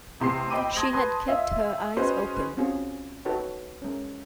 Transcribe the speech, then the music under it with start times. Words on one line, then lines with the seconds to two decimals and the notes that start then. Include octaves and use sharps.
She had kept her eyes open.
0.20 A1 C3 C6 C7
0.50 C4 D#5 G5 B5 D6 D#7
0.76 A5 C6 D#6 G#6 A#6
0.93 B4 A5 C6 D#6
1.28 F4 D#5 E5
1.97 C#4 F#4 G#4 B4 C5 D#5
2.57 C4 C#4 F4 F#4 G#4
3.25 D#4 F#4 A4 B4 C#5 G5
3.82 G#3 C#4